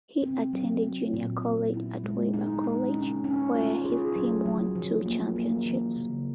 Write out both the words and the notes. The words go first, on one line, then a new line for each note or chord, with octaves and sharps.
He attended junior college at Weber College, where his team won two championships.
C4
F#3
F#3
A#2
B3
E4
G#3
D#4
D#4
C#4
C#4
F4
G#4
F#3
F#3
F3
A#3
A#3
E3
C#3